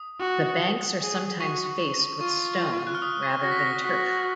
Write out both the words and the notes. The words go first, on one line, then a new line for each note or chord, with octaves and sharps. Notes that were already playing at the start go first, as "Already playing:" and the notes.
The banks are sometimes faced with stone rather than turf.
Already playing: D#6
F#4
G#4
F#4 C#6
F4 C#6
F#6
F6
D#6
C#6
F#4 A#6
B6
A#6
F#4